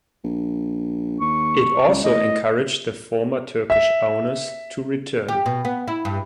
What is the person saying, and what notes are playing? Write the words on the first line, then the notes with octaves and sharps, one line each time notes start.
It also encouraged the former Turkish owners to return.
A#1
D#2 C#6
C#2
A2 D#5
E5
G4
B2
B3
E4
G2